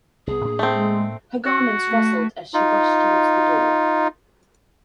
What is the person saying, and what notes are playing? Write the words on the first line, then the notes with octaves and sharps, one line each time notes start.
Her garments rustled as she rushed towards the door.
C2 B3 G#4
A2 A#3 D4
A3 C4
G#3
F#4
A3
D#4 F4